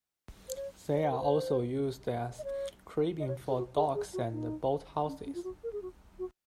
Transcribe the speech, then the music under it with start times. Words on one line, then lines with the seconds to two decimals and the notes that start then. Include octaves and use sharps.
They are also used as cribbing for docks and boathouses.
0.48 C5
0.56 C#5
0.95 C#5
1.03 C5
1.11 A#4
1.19 C5
2.39 D#5
2.44 C#5
3.20 D#5
3.28 C#5
3.48 G#4
3.57 F#4
3.76 G#4
3.95 G#4
4.13 F#4
4.32 D#4
5.07 C#4
5.26 C#4
5.35 F4
5.44 F#4
5.63 A#4
5.72 G#4
5.82 F#4
6.19 F#4